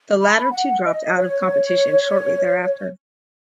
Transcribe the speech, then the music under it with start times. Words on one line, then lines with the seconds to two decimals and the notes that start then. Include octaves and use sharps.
The latter two dropped out of competition shortly thereafter.
0.21 B5
0.52 F#5
0.84 D#5
1.16 C#5